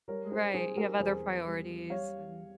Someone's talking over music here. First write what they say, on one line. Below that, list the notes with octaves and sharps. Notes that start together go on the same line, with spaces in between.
Right, you have other priorities and
G3 A#4 C#5
G#4 C5
G3 G#4 C5
G4 A#4
E2 G#4 C5
G3
G3 C#5 F5